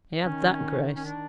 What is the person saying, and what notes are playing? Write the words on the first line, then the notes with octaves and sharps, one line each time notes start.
He had that grace.
D#3 C#4
C#4
D4